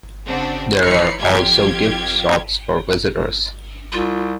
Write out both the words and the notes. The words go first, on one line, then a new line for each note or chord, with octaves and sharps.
There are also gift shops for visitors.
C#3 C4 D4 F#4
E3 D#4 C#5 B5 C7 C#7
F2 F4 G4 G#6
C2 F4